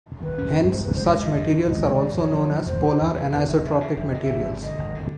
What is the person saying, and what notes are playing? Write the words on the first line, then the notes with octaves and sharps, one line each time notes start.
Hence, such materials are also known as "polar anisotropic" materials.
D#3 B4
C#4
G2
G#3 C5
G#3 B4
C5
G2 C#5
G2 D#5
G2
D#3
G#3 D#5
D#3
D5
G2
F3 C#5
F3
F3
E2 C5
C#3
E2
C#3 B4
E2 B4
F1 E5
D#5
E2 E5
C#3 E5
F1 E5
D3 D#5
E5
G#1
G#1
D3 D#5
G#1
D3